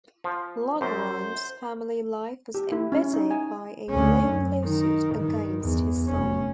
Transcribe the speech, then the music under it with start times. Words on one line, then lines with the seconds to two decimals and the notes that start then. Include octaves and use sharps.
Lagrange's family life was embittered by a long lawsuit against his son.
0.24 F3
0.81 F#2 C5
2.54 G4
2.72 E4
2.92 C#4
3.13 D#4
3.31 G#5
3.90 D2 C#4
4.26 F#2
4.64 D#3
5.15 G2 D#3
5.61 E2
6.07 F1 C#4